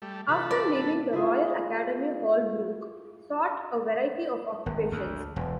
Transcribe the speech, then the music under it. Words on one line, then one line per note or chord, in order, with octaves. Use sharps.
After leaving the Royal Academy Holbrooke sought a variety of occupations.
G3 A3
C3 E3 F4 A4 B4 B5
C#4 G4 D5
A#3 B3 D4 D#4
E4 F4 G#4 F5
G#1
D2
E1